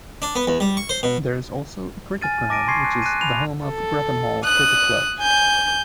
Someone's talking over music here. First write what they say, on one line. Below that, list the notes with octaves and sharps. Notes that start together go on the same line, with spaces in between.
There is also a cricket ground, which is the home of Grappenhall Cricket Club.
D4
B3
E2
G3
C#6
C5
B2
G#5 F6 A6 D#7
A5 D6 A#6 D7 D#7
G#5 C6 C#6 G#6 C7
F#6
F#6 D#7
G#5 B5 F7
A4
D#6 F#6
G#5 G6